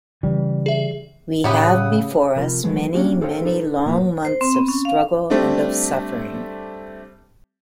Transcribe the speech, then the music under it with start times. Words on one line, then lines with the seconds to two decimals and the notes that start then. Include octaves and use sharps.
We have before us many, many long months of struggle and of suffering.
0.23 C#3 E3 G3
0.66 G#4 E5
1.44 A2 C#3 C#4 E4 G4 C#5 F#5 D#6
2.36 C3 F3 A#4 B5
2.63 E3 F#3 G#3 A3 B3
2.94 A#3 C#4 D4 F#4 G4
3.21 G#4 A4 C5 C#5 F5 G5
3.45 D#4 A4 B4
3.85 A#2 F3 A#3 B3
4.25 C5
4.41 C4
4.55 B3
4.68 C#4
4.85 F5
5.30 G3 A3 C4 D4